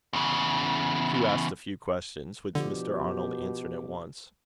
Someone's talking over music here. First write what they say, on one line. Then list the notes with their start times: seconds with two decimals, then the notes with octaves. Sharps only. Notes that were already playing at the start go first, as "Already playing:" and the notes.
Hugh asked a few questions, which Mr. Arnold answered at once.
0.13 E2 C#3
2.55 B2 D3 F3 D4 G4